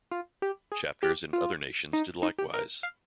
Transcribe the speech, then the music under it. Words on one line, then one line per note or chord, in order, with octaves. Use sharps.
Chapters in other nations did likewise.
F4
G4
G#4
G4
F4
D#4
D#4
G4
A#4
F5